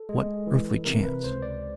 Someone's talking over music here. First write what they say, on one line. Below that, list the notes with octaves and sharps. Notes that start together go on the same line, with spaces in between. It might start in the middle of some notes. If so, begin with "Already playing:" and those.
What earthly chance?
Already playing: A4
G#3
E3
C3 A#4
B4
C#2 C5
D5